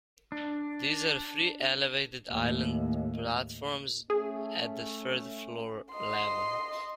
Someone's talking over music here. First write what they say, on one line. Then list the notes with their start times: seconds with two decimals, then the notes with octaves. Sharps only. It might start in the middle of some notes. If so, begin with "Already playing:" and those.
These are three elevated island platforms at the third-floor level.
0.32 D4
2.30 D#2 A2
4.10 A3 C#4 G#4
5.94 D#5 C6